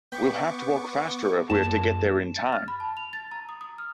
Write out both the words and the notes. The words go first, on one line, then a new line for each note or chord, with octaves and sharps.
We'll have to walk faster if we are to get there in time.
B3 G5 B5 C#6 D6
A#1 F#2 A5
A6
F6
B5
A5
F7
A6
A#5
D#6
D#6
F6